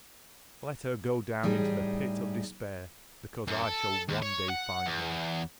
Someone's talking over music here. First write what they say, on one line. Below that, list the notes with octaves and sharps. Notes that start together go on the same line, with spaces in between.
"Let her go down into the pit of despair, because I shall one day find her."
A2 G3 D#4 G#4
F#2
A4
D#2
C#5
F#5
E2